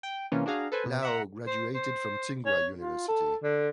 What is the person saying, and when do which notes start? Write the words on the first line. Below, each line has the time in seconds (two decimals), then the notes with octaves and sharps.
Lao graduated from Tsinghua University.
0.03 G5
0.32 C3 E3 A#3 C#4 F4
0.46 D4 F#4 G#4 F5 A#5
0.72 A4 B4 C5 G#5
0.86 B2
1.03 E5 F#5 A#5
1.47 C5
1.75 C5
2.46 C#5
2.78 F4
3.08 A4
3.43 D3